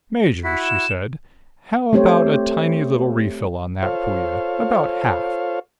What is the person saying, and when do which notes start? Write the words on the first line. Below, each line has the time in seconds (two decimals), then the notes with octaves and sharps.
"Major," she said, "how about a tiny little refill on that Puya--about half?"
0.44 E4 F#4 B6
0.64 E7
1.93 A3 C4 G4 C5 C#5
3.83 F4 A4 C5 C#5 F5